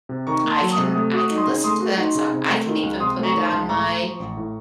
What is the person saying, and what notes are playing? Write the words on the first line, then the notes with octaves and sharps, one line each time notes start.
I can I can listen to that song. I can even put it on my
C3
D#3 A#5 C#6
A#3
A5 C6
F#3
D#6
C3
A3 D#6
F#4 D#6
D#4
C6 D#6
C#3
A3 C6 D#6
F#4
D#4
C#3
C3
A3
D#3
C#2
C3 C6 D#6
A3
A#5 C#6
D#3
A5 C6
C#2
A2 A#5 C#6
A3
F3
A1
A2